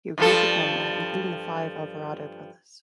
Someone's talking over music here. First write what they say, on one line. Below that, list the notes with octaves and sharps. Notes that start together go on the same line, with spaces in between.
He recruited men there, including the five Alvarado brothers.
G2 F3 A4